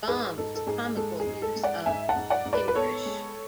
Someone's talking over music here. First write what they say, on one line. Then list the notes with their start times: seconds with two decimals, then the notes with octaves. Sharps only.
Bomb's comical use of Engrish.
0.07 G#2 G#4 B4
0.37 G#2 A4
0.55 A4
0.67 G#2 G#4
0.96 G#3 A4
1.20 G#4
1.27 G#2
1.42 A4
1.56 G#3
1.63 D5 F#5
1.86 G#2 E5 G#5
2.09 F#5 A5
2.16 G#2
2.30 D5 F#5
2.45 G#2
2.53 B4 D5
2.68 B4
2.75 B3 A4 C#5
3.06 G#3